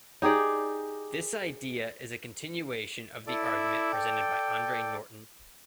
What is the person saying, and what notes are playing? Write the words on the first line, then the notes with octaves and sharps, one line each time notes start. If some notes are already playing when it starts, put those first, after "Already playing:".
This idea is a continuation of the argument presented by Andre Norton.
D#4 G4 G#4 D5
E4 A4 D5 D6
G5